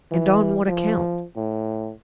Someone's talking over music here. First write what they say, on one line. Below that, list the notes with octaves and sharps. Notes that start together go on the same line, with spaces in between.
"And on what account?"
E3
F3
A2